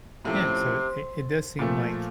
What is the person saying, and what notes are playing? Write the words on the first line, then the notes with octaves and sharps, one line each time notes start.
Yeah, so it it does seem like,
A2 C3 F3 A3 C#4
A#2 F3 A3